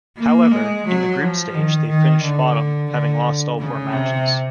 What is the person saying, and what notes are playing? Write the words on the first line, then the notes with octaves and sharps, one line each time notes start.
However, in the group stage they finished bottom having lost all four matches.
A#3
G#3
F#3
F3
D#3
D#3
D3
D3
C#3
C3